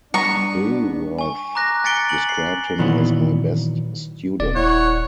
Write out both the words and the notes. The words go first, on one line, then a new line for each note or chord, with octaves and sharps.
Billroth described him as my best student.
G3 B3 D4 A#5 C#6
G#5 C#6
A#5 D6 F#6 A#6
G#5 A6 B6 C#7 D7 G7
F#7
C7
A#2 D#3 E3 F#3 B3
D#1 D5
E4 C#5 F#5